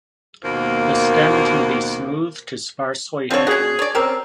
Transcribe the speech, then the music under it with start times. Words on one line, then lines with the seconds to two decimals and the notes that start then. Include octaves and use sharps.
The stem can be smooth to sparsely hairy.
0.44 D#2 B2 F3 A#3
3.31 D3 F3 G3 C4 C#5
3.47 C#4 F#4 G#4
3.79 C#5 D5
3.95 C4 C#4 G4 A#4